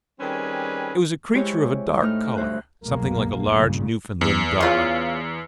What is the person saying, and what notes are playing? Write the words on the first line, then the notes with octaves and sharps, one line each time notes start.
It was a creature of a dark color, something like a large Newfoundland dog.
D#3 G3 C4 C#4 G#4 B4
E3 G#3 E4 G4 C5 C#5
A2 A3 D#4 F6
D2 G2 C5 E5 F#6
F1 C2 F#2 B2 G#3 A#3
A#1 G2 A#2 C#3
E2
C#3 F4